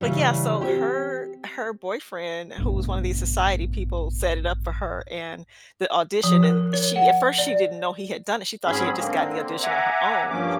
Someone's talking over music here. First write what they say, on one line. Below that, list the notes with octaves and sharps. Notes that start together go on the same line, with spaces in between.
Like, yeah, so her her boyfriend who was one of these society people set it up for her and the audition, and she at first, she didn't know he had done it, she thought she had just gotten the audition on her own
C#3 E3 G3
C4 G4
A1 G2 B2
F3
A#4
C#5
F#5
D5
G#2 F#3 C4 C#4 G#4 B5
D3 A#3 C4
E5 F#5 G#5 A#5 D6
G2 F3 A#3 C#4 D6